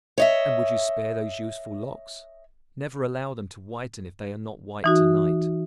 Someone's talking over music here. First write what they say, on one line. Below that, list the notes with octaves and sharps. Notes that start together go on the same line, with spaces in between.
And would you spare those youthful locks? Never allow them to whiten if they are not white to-night.
C#5 D#5 E5
E3 D#4 F#4